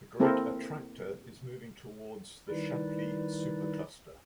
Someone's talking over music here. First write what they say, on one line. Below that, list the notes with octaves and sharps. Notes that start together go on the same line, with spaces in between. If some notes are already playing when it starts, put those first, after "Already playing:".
The Great Attractor is moving towards the Shapley Supercluster.
A#3 C4 E4 A4 A#4
D#3 G3 D#4 E4 B4 D5